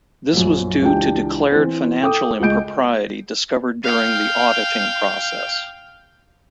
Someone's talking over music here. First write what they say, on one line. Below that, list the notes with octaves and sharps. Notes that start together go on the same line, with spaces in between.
This was due to declared financial impropriety discovered during the auditing process.
A#1 F#2
C#2 E3 D4 G4 G5
E3 C4
A4 G5 D6 D#6
C#2 G#3 D#5 G6 D7
F5 G5